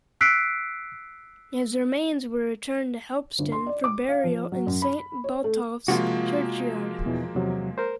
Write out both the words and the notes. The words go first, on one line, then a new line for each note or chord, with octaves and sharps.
His remains were returned to Helpston for burial in Saint Botolph's churchyard.
E6 F#6 B6 C7 D7
G1
C6
D5
D6
F5
F3
F#3
F#2
B5
C#5
A3
C3 F3 G#3 A#3 F4 F#4
E2 B2 E3
E2 C3 F#3
A#4 C5